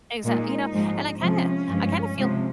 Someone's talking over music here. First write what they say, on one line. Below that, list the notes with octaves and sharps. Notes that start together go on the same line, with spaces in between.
Exact you know, and I kinda I kinda feel,
A#2 G#3 D#4
G#2 F3 G#3
C3 F3 G#3 C#4
G2 F3 G#3
C3 F3 G#3